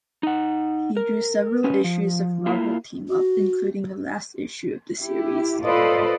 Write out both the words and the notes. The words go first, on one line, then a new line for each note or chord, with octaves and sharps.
He drew several issues of "Marvel Team-Up" including the last issue of the series.
D#4 F#5
A#4
C#4 B4
F3
A#3 E4 F4
F#4
E4 G4
F4 A4 B4 C5 D5 D#5